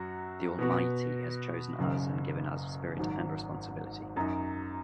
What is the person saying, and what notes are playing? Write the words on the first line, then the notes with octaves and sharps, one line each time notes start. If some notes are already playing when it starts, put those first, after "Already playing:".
The Almighty has chosen us and given us spirit and responsibility.
Already playing: F#2 F#3 F#4
B2 B3 F#4
F#1 F#2 C#3
G#1 G#2 F#3
F#2 F#3 D#4